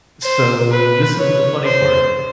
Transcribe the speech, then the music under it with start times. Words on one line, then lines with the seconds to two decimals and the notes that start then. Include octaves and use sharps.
So, this is the funny part:
0.23 C5
0.70 B4
1.17 C#5
1.65 C5